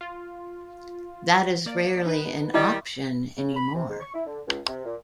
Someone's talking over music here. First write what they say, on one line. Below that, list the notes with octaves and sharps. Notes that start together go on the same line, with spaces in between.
That is rarely an option anymore.
F4
A#3 D5
D#4 B4
D#3 G3 E4 D#5
C#3
B5
C3
G#2
C#6
E4
D3
C#2
C3
A#2